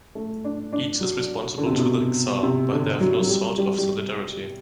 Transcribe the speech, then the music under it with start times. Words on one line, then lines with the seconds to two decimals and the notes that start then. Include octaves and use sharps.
Each is responsible to the Czar, but they have no sort of solidarity.
0.15 A3
0.44 D4
0.73 D4
1.00 F#3
1.58 D3
1.66 C3
1.72 B2
1.79 C3
2.43 C3
2.72 D3
3.00 F#3
3.19 F#3
3.29 G3
3.58 G3
3.78 G3